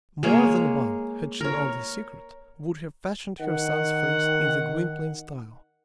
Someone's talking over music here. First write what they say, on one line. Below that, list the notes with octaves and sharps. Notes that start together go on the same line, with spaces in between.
More than one, had she known the secret, would have fashioned her son's face in the Gwynplaine style.
G#3 A#3 C#5
A#4 C#5
D#3 F#5